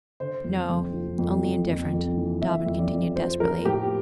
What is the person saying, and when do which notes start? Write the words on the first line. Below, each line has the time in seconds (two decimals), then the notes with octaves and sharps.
"No, only indifferent," Dobbin continued desperately.
0.20 D3 C5
0.44 F2
0.69 F2
0.93 F3
1.18 F2
1.43 F2
1.68 F2
1.93 F2
2.17 E3
2.42 F2 E5
2.66 F2
2.79 D5
2.91 F2
3.16 F3 C5
3.40 F3 A#4
3.65 A2 G4